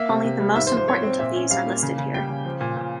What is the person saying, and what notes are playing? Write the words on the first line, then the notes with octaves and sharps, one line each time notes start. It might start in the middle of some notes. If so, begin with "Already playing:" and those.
Only the most important of these are listed here.
Already playing: A#3 E5
C3
C3
G3
G#2 E5
C5
F3
C5
C4 C#5
C4
A#2 E5
C#4
G3 F5
A#3
C#3
C#3
G3 G5
C#3
F3
A#2
A#2